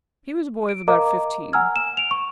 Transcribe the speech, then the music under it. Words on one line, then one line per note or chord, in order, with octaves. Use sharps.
He was a boy of about fifteen.
D7
A#4 D#5 F5 A#5 D6
F#5 G#5 A#5 E6 F6 G#6
E7
D7 F7
C#6